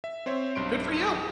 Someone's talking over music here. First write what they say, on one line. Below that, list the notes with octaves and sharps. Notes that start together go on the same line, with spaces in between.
Good for you.
E5
C4 C5 C#5 E5
B1 G2 C6 D7